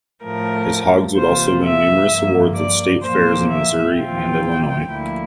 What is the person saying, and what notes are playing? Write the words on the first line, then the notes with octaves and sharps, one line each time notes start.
His hogs would also win numerous awards at state fairs in Missouri and Illinois.
A2 F3 A3 A#4
C3 E3 A#3 F4 C5
E5
G2 F3 A#3
D5
A#2 F3 A#3 C5
E5
A#2 F3 C4 F4 G5
D2 D3 F3 A#3 E4